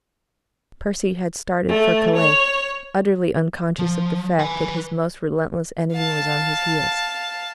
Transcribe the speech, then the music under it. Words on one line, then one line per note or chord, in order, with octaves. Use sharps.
Percy had started for Calais, utterly unconscious of the fact that his most relentless enemy was on his heels.
A3
C#5
F3
B4 G#5
F5 A5